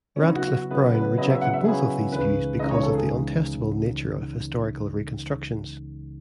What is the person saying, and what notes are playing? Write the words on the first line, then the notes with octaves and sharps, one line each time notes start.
Radcliffe-Brown rejected both of these views because of the untestable nature of historical reconstructions.
C#4
C#3 F#3 B3 D#4 E4
F#4
F#4
C#3 F#3 B3 E4 B4
B4
C#3 F#3 B3 E4 D#5
E5
F#5
E5
C#3 F#3 B3 E4 G#4
C#2 C#3 E3 G#3 D#4 B4
C#2 C#3 E3 G#3 D#4 D#5
C#5
A4
G#4